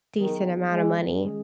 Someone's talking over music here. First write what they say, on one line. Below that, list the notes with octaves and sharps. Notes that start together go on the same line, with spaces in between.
decent amount of money
D#3 F#3 B3 D#4 G#4
G#3
D#3 G#3 C#4 G#4